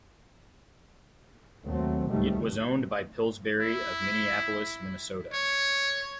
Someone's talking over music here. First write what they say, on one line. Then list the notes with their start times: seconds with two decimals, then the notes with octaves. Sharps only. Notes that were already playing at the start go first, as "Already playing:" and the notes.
It was owned by Pillsbury of Minneapolis, Minnesota.
1.66 D#2 F#3 A3 C4
2.09 C#2 G#2 D#3 G3 A3
3.61 E4
5.33 C#5